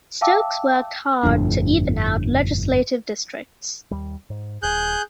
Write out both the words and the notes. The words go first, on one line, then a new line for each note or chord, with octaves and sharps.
Stokes worked hard to even out legislative districts.
E5 F5 G5 A5 D6 E6
G1 F2 A2 D4
D#2 G3
G#2
D#1 G#4 F#6 G6